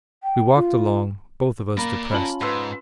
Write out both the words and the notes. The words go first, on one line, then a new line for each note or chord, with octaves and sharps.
We walked along, both of us depressed.
G5
F4
A#3 A#4 D5 A#5 B5
C#4 F4 A5 B5 F#7
G#2 B4 C6 E6